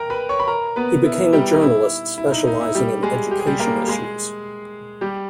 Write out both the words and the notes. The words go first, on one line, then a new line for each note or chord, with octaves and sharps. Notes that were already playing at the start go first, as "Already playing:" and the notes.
He became a journalist specializing in education issues.
Already playing: A#4 G5 A#5
B4 B5
C#5 C#6
B5
A#4 A#5
B3 B4
E4
G3 G4
D#4
E4
E4
D#4
D#4
E4
G3 G4
G#3 G#4
G4
G#4
G3 G4
A#3 A#4
G#3 G#4
G3 G4